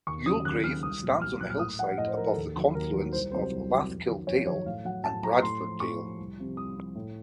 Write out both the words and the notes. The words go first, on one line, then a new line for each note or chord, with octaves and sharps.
Youlgrave stands on the hillside above the confluence of Lathkill Dale and Bradford Dale.
D#2 C#6
C#3 F#3 D#6
D#2 F#6
C#3 F#3 F6
C2 D#6
A#2 F#3
C2 F6
A#2 F#3 F#6
F6
A2 D#6
F3 F#5
A2 D#5
C5
F3 A#4
A4
D#2
D#3 F#3
D#2 A#4
D#3 F#3
C2 C5
C3 F#3 C5
C2
C3 F#3
F2
D#3 F#3
F2 C#5
D#3 F#3 C#5
A2 F5
F#3 F#5
A2 A5
F#3 A#5
A2 C6
F3
A2 C#6
F3
C2
C3 F3
C2 D#6
C3 F3
A2